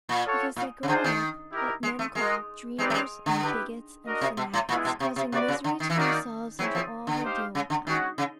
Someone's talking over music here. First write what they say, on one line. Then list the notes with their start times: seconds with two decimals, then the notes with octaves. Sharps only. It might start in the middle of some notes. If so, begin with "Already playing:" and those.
Because they grow up what men call dreamers, and bigots, and fanatics, causing misery to themselves and to all who deal with them.
0.09 A#2
0.24 F4 A4 C#5 F#5
0.56 A#2
0.83 C#3
0.87 D3 D4 F4 G#4 C5
1.04 D#3
1.51 E4 G4 A#4 D#5
1.83 G#3
1.99 A3
2.15 G#3 F#4 A#4 D#5
2.78 G#3 C4 D#4 G4 B4 D5
2.90 A3
2.94 G#3
3.26 D3
3.42 E4 G4 B4
4.05 D4 F#4 A#4 D#5
4.21 C3
4.37 B2
4.54 A2
4.69 A#2 G#3 B3 E4
4.85 B2
5.00 C3
5.16 C3
5.32 C3 F#4 B4 D5
5.48 C#3
5.64 D3
5.80 D#3
5.90 E3
5.96 D#3 A#3 D#4 F#4 A#4 D5
6.59 F#3 C4 E4 G#4 C#5 E5
6.75 F3
7.07 D3
7.22 D#4 G4 C5 F5
7.55 C#3
7.70 D3
7.86 D#3 G#3 C#4 F#4
8.18 C#3